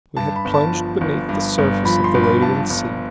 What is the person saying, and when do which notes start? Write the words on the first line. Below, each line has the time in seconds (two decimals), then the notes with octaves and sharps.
We had plunged beneath the surface of the radiant sea.
0.17 G2 A5
0.36 B5
0.45 G1
0.54 A5
0.74 F3
1.01 G1
1.29 G2
1.58 G1
1.85 F3 B5
2.04 C6
2.14 G1
2.24 B5
2.42 G2 A5
2.70 G1